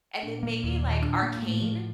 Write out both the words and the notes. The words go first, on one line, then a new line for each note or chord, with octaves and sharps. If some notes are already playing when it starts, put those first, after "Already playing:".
And then maybe like Arcane?
A#2 D4
A#3
D#2
D#3
D4
A#3
A2 A3
F3